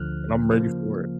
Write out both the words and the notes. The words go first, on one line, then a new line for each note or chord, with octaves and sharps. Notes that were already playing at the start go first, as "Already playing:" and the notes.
I'm ready for it.
Already playing: D2 D3 F3 F6 F#6
C#3 F3 A#3